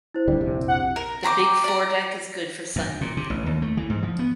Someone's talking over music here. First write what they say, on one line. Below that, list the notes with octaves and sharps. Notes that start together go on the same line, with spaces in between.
The big foredeck is good for sunbathing.
E4 C5
D1 D3 G3
A#1 F2 C3
F#5
A#4
G5 A#5 C6 D6
D5 A#5
F#2
A#2
C3
A1
D#2
A3
E3
G#2
F3
B3